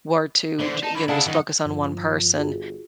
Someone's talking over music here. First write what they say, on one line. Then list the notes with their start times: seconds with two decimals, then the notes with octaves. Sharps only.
were to j you know, just focus on one person
0.60 D3 E3 B3 C5 D5
0.83 D#4 A5
0.95 D3 E3 B5
1.08 C#3 D4 E4 D5 F#5 A5
1.26 F#2 D#3 D#4
1.66 G2 F3
2.37 G1 F4 F#4 G#4